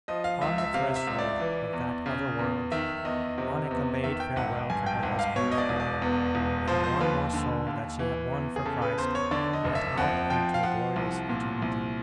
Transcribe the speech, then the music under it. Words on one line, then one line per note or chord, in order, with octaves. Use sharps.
On the threshold of that other world Monica bade farewell to her husband, and one more soul that she had won for Christ went out into a glorious eternity.
F3 D#5
F5
C#2 E5
E5
C3 F5
E5
C#2
D5
E3
E2
C#3
E2
D#3 E5
E2 D#5
C3
E2
D#3 E5
G5
G#1 F#5
G2 G#5
G5
G#1 F#5
F5
B2 C#5
D#5
D5
E1
D5
E2
E1
F3 C5
C5
D#2 B4
D3
D#2
E3
E2
G#4
C#3 A4
B4
E2 C5
C#5
D3 D5
D#5
F#1
E5
F2 F#5
F3 G5
F5
F3 F#5
C2
A#2
C2